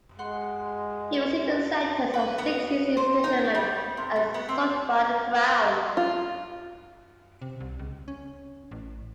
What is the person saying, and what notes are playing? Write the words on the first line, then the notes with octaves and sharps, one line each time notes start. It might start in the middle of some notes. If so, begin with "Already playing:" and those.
He received a sentence of six years imprisonment, as sought by the Crown.
G#3 F#5 C6
B4
B3
C5
D#4
G3
C3
B2
B3
C4
A#3
F5
F4
C3
C2
C#2
C#4
A1